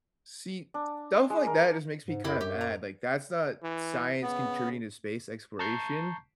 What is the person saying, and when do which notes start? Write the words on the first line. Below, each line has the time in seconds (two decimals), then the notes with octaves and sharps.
See, stuff like that just makes me kinda mad, like, that's not science contributing to space exploration,
0.74 D4
1.15 C6
1.30 G#3
1.47 A#4
2.08 G#2
2.24 F#2 C4 E4 G4
2.41 G4
2.61 A#5
3.63 E3
4.22 C#3 B3
5.59 A5 A#5 C#6 G6 C7